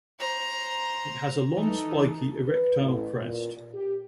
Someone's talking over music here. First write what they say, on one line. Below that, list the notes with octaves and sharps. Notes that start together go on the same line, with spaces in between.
It has a long spiky erectile crest.
C5 A#5
E3 D#4 A4
B4
A1
A#2
G4